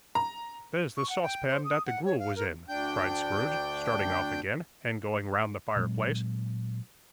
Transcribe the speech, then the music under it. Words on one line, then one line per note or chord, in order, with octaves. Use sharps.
'There's the saucepan that the gruel was in!' cried Scrooge, starting off again, and going round the fireplace.
A#5
C#6
F#5
G5
C5
D#6
F#5
C#5
F5
A#4
D2 D4 G5 G6
A#2 F#3 G#3 C4